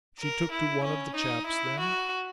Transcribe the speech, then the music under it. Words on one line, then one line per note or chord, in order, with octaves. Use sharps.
'She took to one of the chaps then?'
A#4
E4
C#4
D#4
E4
F#4